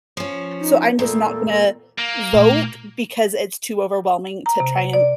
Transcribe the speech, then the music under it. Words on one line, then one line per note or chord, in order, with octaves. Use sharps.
so I'm just not gonna vote because it's too overwhelming to try and
F3 C#4
D#4
E2 A#2 A4
A#3
A#2 A3
A#5
C3
D5